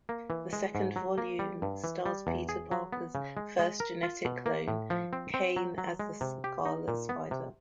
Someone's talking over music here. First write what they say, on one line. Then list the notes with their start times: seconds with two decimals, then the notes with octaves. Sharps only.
The second volume stars Peter Parker's first genetic clone, Kaine as the Scarlet Spider.
0.09 A#3
0.30 E3
0.53 G#3
0.75 G#2
0.96 F#3
1.18 A#3
1.39 G3
1.62 G2
1.84 E3
2.05 G3
2.27 E2
2.49 G#4
2.71 F#3
2.93 B3
3.15 C#3
3.37 G#3
3.59 G#3
3.80 A#4
4.03 F4
4.25 B2
4.46 A#3
4.68 A2
4.90 F3
5.13 C4
5.34 C4
5.56 F#3
5.78 F#3
5.99 G#3
6.21 C3
6.44 G4
6.65 D#4
6.88 A#2
7.09 B3
7.31 C3